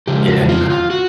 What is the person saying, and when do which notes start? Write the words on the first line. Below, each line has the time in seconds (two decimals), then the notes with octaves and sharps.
Yeah, no.
0.07 C#3 F3 G#3 G4
0.29 F#4
0.49 F4
0.70 F4
0.90 F#4